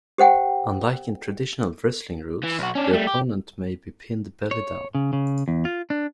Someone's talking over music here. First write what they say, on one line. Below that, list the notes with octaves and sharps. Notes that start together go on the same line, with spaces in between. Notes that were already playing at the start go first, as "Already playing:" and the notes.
Unlike in traditional wrestling rules, the opponent may be pinned belly-down.
G4 C5 F#5 G5
E3
B1 F#4
C#4 D4
G3 A3
G4
C#5
C#3
C#3
E2
F4
D4